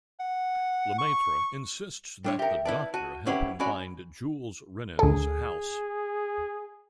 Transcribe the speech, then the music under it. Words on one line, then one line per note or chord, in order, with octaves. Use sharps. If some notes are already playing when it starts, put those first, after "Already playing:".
Lemaitre insists that the Doctor help him find Jules Renan's house.
F#5
C#6
G3 D4 C#5
G4 A#4 E5 G5
E4 B4 D5 A5
F#4 A5 D#7
C#4 E4 G4 B4 C5 F#5
C#4 F#4 D5 G#5 B5
D2 G#4 A4